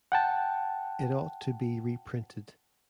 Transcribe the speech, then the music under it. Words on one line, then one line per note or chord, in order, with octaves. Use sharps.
It ought to be reprinted.
F#5 G5 A5